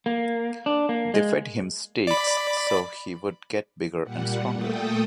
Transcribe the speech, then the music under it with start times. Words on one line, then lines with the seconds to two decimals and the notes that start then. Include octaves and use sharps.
They fed him steaks so he would get bigger and stronger.
0.06 A#3
0.66 D4
0.89 A#3
1.14 G#3
2.07 D5 B5
4.03 A#2 G3 F#5
4.53 A#2 A3 A4 G5 D#6